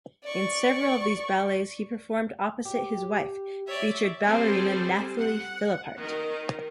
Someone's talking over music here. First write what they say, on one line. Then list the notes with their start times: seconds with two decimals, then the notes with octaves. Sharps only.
In several of these ballets he performed opposite his wife, featured ballerina Nathalie Philippart.
0.24 D5 C#6
2.65 G4
3.68 C#5 D5 E5
4.24 G3 C4 G#4 A4 C5
5.19 F#5
5.98 D#3 A#4